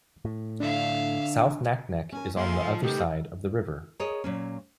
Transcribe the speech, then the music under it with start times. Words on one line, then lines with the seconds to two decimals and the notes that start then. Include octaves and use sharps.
South Naknek is on the other side of the river.
0.25 A2
0.60 D3 D4 E5 F5
2.12 C#4 A#4 G#5
2.37 A#3 E4 G#4 F5 G#5 C6
2.60 F3 A4 C5 D#5
2.83 C#3 A3 B3 D#4 G4 A#4 D#5
4.00 G#4 A#4 C#5 D#5
4.24 A#2 F#3 C#4